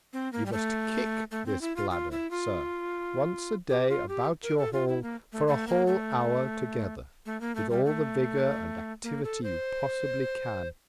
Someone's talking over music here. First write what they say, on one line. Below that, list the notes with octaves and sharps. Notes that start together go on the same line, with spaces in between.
You must kick this Bladder, Sir, once a Day about your Hall for a whole Hour together, with all the Vigour and Activity you possibly can.
C4
A#3
G3
A3
A3
C4
E4
F4
F4
E4
F4
G4
F4
G4
A#4
A4
F4
E4
A#3
A3
A3
A#3
A3
A3
A#3
A3
G3
A3
A#3
A4
C5